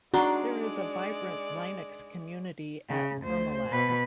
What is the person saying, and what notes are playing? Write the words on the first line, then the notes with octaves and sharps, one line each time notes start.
There is a vibrant Linux community at Fermilab.
G#3 D4 D#4 F#4 D5 A#5 C6
C#3
D2 C5
B2 B4